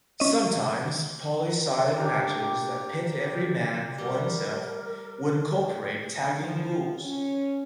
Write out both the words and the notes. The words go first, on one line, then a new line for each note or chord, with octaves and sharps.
Sometimes, poly-sided matches that pit every man for himself will incorporate tagging rules.
C#4 D#5
D4 G4 A#4
G3 A#4
F3
C#4